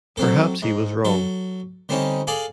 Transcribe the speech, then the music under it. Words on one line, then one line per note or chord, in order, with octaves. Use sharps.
Perhaps he was wrong.
F#3 C4 A4
G#2
F#3 A4
D3 G3 C4 C#4 D#4
G#4 A4 D5 F5